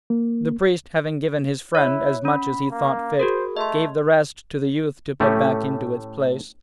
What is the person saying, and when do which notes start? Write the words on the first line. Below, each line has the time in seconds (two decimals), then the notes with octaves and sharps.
The priest, having given his friend as much as he thought fit, gave the rest to the youth to put back into its place.
0.10 A#3
1.75 E4 C#5
2.25 C#4 B5
2.71 A#3
3.19 F#4 G#4 A#4 C5
3.57 A3 D#5 C6
5.20 A2 A3 C#4 G4